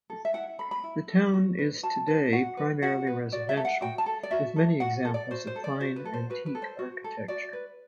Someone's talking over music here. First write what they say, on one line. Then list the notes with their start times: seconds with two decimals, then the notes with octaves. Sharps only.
The town is today primarily residential, with many examples of fine antique architecture.
0.10 A4
0.25 E5
0.34 E4 F#5
0.58 A4 B5
0.71 B5
0.84 E4
1.08 A4
1.33 F#4
1.59 B4
1.83 F#4 A5
2.08 B4
2.33 F#4 F#5
2.57 B4
2.82 F#4 F#5
3.07 B4
3.32 F#4 D5
3.49 E5
3.57 A4
3.65 F#5
3.81 F#4 G5
3.98 A5
4.06 A4
4.23 D5
4.31 F#4 E5
4.56 A4
4.80 F#4 F#5
5.05 A4
5.14 D5
5.31 F#4 C5
5.47 C5
5.56 A4
5.64 D5
5.80 F#4 C5
5.96 B4
6.05 A4
6.14 C5
6.30 F#4 B4
6.46 B4
6.55 A4
6.62 C5
6.79 F#4
7.04 A4
7.28 F#4 D5
7.53 B4